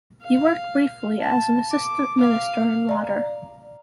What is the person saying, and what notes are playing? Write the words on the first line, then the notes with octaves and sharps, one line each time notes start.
He worked briefly as an assistant minister in Lauder.
F5
A5
D6
F5
D5 A#5